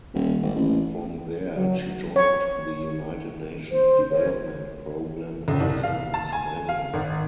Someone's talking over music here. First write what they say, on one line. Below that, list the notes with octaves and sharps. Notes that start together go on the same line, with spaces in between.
From there she joined the United Nations Development Programme also in Somalia.
D#1
G#1
A1
F#3
C#5
C5
C#5
C#2
C2
F5
A5
G#5
F5
G#1